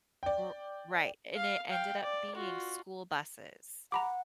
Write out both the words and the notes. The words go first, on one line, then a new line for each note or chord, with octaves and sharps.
R right. And it ended up being school buses
D5 G5
F5
F5 G5
D5
F4 F#4
F#5 A#5 B5 D6